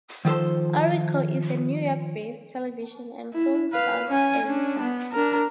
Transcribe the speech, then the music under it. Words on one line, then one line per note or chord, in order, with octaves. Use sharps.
Orrico is a New York based television and film sound editor.
D#3 F3 A4 C5
E4
B4 F5
C#4 G#5
C#4 D4
B3
D4 A#4